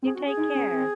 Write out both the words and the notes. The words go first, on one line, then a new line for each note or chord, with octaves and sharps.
You take care.
C4 G#4
F#4
C#4
G#4
D#4
C#4
C4